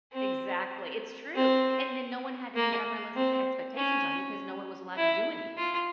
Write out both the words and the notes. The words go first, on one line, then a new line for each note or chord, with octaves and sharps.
Exactly. It's true. And then no one had any unrealistic expectations on you 'cause no one was allowed to do anything.
C4
C4
A#3
C4
C#4
E4
F4